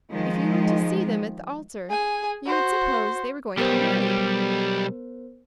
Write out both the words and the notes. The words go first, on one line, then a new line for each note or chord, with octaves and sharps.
If you were to see them at the altar, you would suppose they were going to be married.
D#3 F3 G#3
G#4 G#5
F#4 C5
B1 G3 B3 G4 A#4 C5